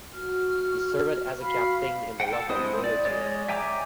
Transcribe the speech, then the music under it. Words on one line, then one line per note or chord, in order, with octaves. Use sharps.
He served as a captain in the local militia.
F#4 F6
F#4 F5 B5 F6
F#5 G5
A4
G#3 C4 E4 C5 D#6
D5
G#3 G#4 C#5 D5
E5 G5 G#5 A#5 D6